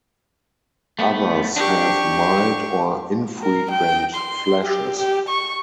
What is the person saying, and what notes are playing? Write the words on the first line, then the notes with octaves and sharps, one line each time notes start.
Others have mild or infrequent flashes.
A3 B3
D4 G4 C#6
A#4
G5
C6
G4
G4
C#6